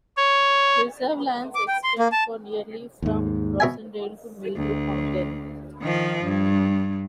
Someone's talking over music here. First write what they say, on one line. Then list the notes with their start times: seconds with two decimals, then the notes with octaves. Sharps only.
Preserve lands extend for nearly from Rosendale to Millbrook Mountain.
0.17 C#5
1.55 D6
1.68 G5
1.84 C6
1.99 A#3
2.12 A5
3.02 D#2 G#2
3.60 B2 E5 G#5
4.56 D2
5.81 D#3 F3
6.23 G2